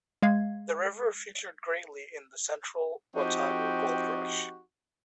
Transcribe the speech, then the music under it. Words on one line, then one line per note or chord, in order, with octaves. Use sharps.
The river featured greatly in the Central Otago goldrush.
G#3 F5 G#6
F3 C4 D#4 F#4 G4